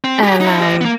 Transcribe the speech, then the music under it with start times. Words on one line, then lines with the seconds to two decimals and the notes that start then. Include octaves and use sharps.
And, um
0.04 C4
0.23 G4 G#4
0.41 D#4 E4
0.60 G4 D#5
0.81 A#3 B3